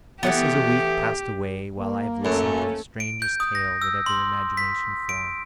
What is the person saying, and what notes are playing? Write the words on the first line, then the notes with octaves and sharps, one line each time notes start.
Thus has a week passed away, while I have listened to the strangest tale that ever imagination formed.
E3 A3 B3 G4
A#3
F#2 A3 C#4 A4
D7
G6
D#6
A#6
E6
C6
B6
D7